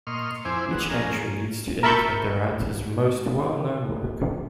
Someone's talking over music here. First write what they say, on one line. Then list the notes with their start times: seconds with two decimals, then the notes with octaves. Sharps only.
Each entry needs to indicate the writer's most well-known work.
0.07 A#2 D#5 C6 C#6 F6
0.45 F2 C4 E4 C5 G#5 D6
0.71 G#3 B3 D4 F#5
0.90 F3 C#4 G#4 A#4
1.83 A#4 E5 A5 B5 C#6 G6